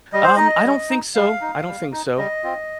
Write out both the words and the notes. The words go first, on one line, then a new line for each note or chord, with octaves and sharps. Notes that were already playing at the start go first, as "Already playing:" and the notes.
um I don't think so, I don't think so.
G3 D#5
C5
D#4 D#5
G3
D#4
G3 F5
D#4
G3
D#4
G3 D#5
C4 F4